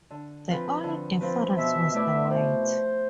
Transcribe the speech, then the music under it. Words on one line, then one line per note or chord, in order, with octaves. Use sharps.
The only difference was the weight.
D3
F3 C4 F4 B4
D3
F3 C4 F4 B4
B2 E5
A3 E4 B4 D5 E5
B2 C5